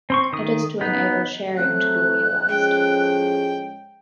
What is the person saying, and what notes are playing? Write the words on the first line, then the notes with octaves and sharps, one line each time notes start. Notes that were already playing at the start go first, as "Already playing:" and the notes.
It is to enable sharing to be realized.
C4 C6 C#6
D#3 D#6
B3 D#4
F#3 A3 C4 F#6
A2 F3 G#3 C#4 G5